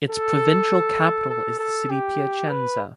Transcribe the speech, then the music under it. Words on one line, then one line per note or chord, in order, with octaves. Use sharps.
Its provincial capital is the city Piacenza.
A4
A4
A4
G4
B4